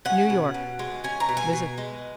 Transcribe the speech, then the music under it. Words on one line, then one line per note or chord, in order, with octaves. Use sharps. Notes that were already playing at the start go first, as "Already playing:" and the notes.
New York-Mrs.
C#4 F#5
B2
B2
G#3
C#4 G#5
A#5
B2
G#5
B2
G#3